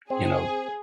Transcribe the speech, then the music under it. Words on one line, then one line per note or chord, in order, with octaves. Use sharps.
you know
C4 G#4